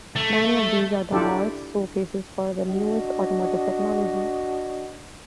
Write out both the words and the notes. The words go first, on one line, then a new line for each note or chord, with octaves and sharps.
Many of these are the marque's showcases for the newest automotive technology.
A3
D4 E4 F4 G4 A4 D5
D4 F#4 D#5